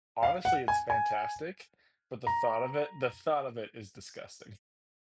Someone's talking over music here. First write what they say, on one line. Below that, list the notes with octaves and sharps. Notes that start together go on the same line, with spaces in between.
honestly, it's fantastic, but the thought of it the thought of it is disgusting.
F5
F#5
G#5
G#5
A#5